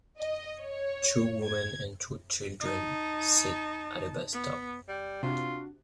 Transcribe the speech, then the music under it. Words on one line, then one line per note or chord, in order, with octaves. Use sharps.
Two women and two children sit at a bus stop.
D#5
C#5
G#6
D#4 A5
B3
G3
C3 D4 F4 F#4